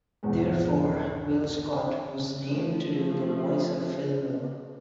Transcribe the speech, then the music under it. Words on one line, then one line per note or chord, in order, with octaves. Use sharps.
Therefore, Bill Scott was named to do the voice of Fillmore.
B1 E2 G#2
F3 A3